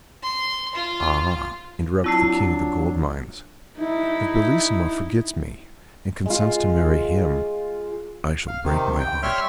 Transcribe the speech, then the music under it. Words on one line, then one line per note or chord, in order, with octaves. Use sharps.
"Ah!" interrupted the King of the Gold Mines, "if Bellissima forgets me, and consents to marry him, I shall break my heart."
C6
F4
F#3 C4 D4 E4 F4 A5 E6 C7
D#4 E4
G#3 F4
F5
C3 D#3
G5
G3 C#5 E5 C6 F6